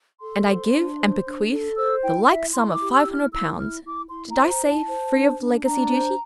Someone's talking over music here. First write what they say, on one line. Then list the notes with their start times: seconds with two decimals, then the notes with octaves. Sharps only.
And I give and bequeath the like sum of Five Hundred Pounds--did I say, free of legacy duty?
0.21 A4 C6
0.46 C5
0.72 D4
0.98 C5
1.25 D4
1.51 A4
1.76 C5 E6
2.02 E4 G5
2.28 E4 E5
2.54 E4 C6
2.74 D6
2.80 G4
2.93 E6
3.06 E4
3.12 F6
3.32 E4 E6
3.58 E4 F6
3.84 E4 D6
4.10 E4 C6
4.30 A#5
4.36 C5
4.49 A#5
4.61 E4
4.68 A5
4.88 C5
5.14 D4
5.39 D4
5.65 D4 A#5
5.91 C5